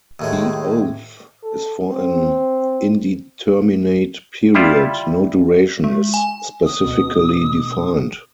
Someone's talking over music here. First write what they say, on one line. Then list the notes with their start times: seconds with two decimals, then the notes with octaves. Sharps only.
The oath is for an indeterminate period; no duration is specifically defined.
0.20 D#2 A2 G#3
1.43 A4
1.90 C4
4.54 G3 E4 F4
5.84 G#3
6.14 G#5
6.66 D#6
6.84 D2 B2